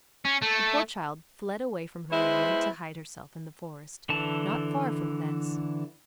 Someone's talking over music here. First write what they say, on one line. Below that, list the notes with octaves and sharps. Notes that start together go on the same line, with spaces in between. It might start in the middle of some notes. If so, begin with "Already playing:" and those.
The poor child fled away from her and went to hide herself in the forest, not far from thence.
C#4
A3
G#3 B3 E4 C5 B5
D3 E3 A5